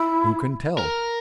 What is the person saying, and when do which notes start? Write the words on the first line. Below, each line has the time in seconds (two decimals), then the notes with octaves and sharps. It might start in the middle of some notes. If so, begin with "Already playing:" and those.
Who can tell?
Already playing: E4
0.78 A#4